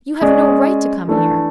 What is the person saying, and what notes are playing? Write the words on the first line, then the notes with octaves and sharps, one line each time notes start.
You have no right to come here.
G#3 C#4 G#4 D5
E3 A3 D4 A4